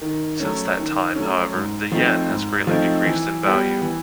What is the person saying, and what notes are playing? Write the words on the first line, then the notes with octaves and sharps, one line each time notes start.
Since that time, however, the yen has greatly decreased in value.
D#3
F#3 A3 C#4
D#3
F#3 A3 C#4
G#2
F3 A3 C4 D#4
G#2
F3 A3 C4 D#4
E3
G3 B3
E3